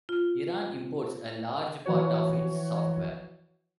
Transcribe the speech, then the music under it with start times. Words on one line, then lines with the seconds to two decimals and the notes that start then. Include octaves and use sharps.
Iran imports a large part of its software.
0.09 F4
1.85 E3 F3 F#4 C#5